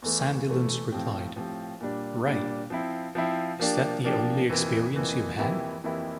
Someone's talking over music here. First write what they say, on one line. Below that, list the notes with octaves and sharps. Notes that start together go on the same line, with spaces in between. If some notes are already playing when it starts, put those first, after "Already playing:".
Sandilands replied: Right... is that the only experience you've had?
E2 E3 A3
E2 E3 A3
A2 F3 C4 G4
A2 F3 C4 G4
A#2 G3 D4
A#2 G3 D4
F3 C4 E4
F3 C4 E4
F3 A#3 D4 G4
F3 A#3 D4 G4
F2 E3 A#3
F2 E3 A#3
F2 E3 A#3 E4 G4
F2 E3 A#3 E4 G4